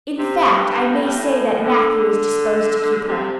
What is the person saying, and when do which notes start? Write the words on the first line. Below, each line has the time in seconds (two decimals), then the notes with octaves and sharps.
In fact I may say that Matthew is disposed to keep her.
0.18 C3
0.54 G2
0.90 A2
1.04 G2
1.16 A2
1.63 D3
1.99 D3
3.08 C3